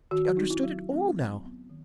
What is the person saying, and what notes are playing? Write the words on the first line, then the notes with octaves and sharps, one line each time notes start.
She understood it all now.
D#3 F#4
F#4
F#3 C4 D#4
E4
F#3
A3 C4
F#3
B3
D#3